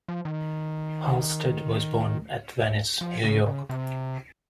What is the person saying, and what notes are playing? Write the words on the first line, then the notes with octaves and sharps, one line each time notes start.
Halsted was born at Venice, New York.
F3
D#3
F3
C#3
C#3
C3